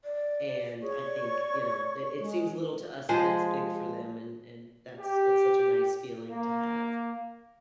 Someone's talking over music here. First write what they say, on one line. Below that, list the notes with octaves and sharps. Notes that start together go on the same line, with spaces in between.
and I think, you know, it it seems little to us, but it's big for them, and and that's it's such a nice feeling to have.
D5
G#4 C#5 C#6
D5
G#3
F3 G#3 G#4 C5
G4
A#3